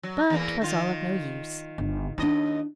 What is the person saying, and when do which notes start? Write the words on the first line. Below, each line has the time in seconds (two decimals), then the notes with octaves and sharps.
But 'twas all of no use.
0.03 F#3
0.30 E2 E3 A#3
0.62 D#3 F4
1.78 G1
2.18 D#2 D4 E4 D#5